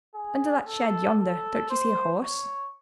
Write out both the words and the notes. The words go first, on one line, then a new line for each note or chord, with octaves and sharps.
"Under that shed yonder, don't you see a horse?"
G#4
A4
A4
C5
C#5